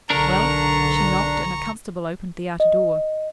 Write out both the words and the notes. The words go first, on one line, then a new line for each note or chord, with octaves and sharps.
Well, she knocked, and a constable opened the outer door.
B1 D3 D4 A#4 A#5 C#6
D#5